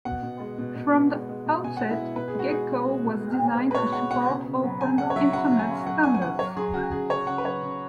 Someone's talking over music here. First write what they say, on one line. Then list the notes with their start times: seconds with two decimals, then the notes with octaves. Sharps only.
From the outset, Gecko was designed to support open Internet standards.
0.05 B2 F#5
0.23 B2
0.40 G#3
0.58 B2
0.76 B2
0.94 B2
1.10 G#3
1.29 G#3
1.46 B2
1.64 B2 G#5
1.77 F#5
1.81 G#3
1.91 E4
1.99 B2
2.16 B2 B4
2.28 G#4
2.34 G#3
2.39 F#4
2.49 G#3 G#4
2.70 B2
2.86 G#3
3.04 B2
3.22 G#3
3.39 B2
3.57 G#3
3.71 B4
3.75 B2 C#5
3.93 G#3 F#5
4.11 B2 F#5
4.27 C#3
4.46 C#3
4.63 F#3
4.81 C#3 G#5
4.98 C#3 F#5
5.10 C#5
5.16 F#3 E5
5.33 F#3 F#5
5.52 F#3
5.59 G#5
5.68 C#3
5.86 F#3 F#5
6.03 F#3 G#5
6.15 G#5
6.22 C#3 F#5
6.39 F#3 C#5
6.57 F#3 G#4
6.74 C#3 F#4
6.91 C#3 G#4
7.10 C#3 C#5
7.27 C#3 F#5
7.38 B4
7.44 F#3 C#5
7.63 C#3